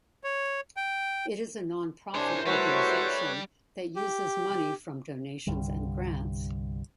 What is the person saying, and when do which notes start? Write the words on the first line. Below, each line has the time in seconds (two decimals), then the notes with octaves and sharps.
It is a non-profit organization that uses money from donations and grants.
0.24 C#5
0.77 G5
2.15 C3 D4 E4 A#4 C5 C#5 G#5 C6
2.46 C3 G3 A3 F#4 A4 B4 C#5
3.96 G4
5.47 C2 G2 D3 G3